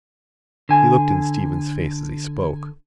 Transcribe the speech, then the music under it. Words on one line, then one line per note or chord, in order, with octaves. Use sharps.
He looked in Stephen's face as he spoke.
D3 G#5